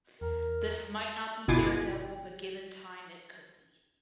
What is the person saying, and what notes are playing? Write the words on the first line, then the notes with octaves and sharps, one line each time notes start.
This might not be "Daredevil" but given time it could be.
E2 A#4
G1 B2 E4 F4 G#5 D6